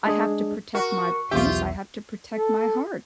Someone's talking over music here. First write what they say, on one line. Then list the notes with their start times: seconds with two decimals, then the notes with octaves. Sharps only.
I have to protect my peace. I have to protect my heart,
0.05 G#3 D4 G#4
0.75 F#4 A#4
1.31 B1 E2 F4 G4 E5
2.33 A4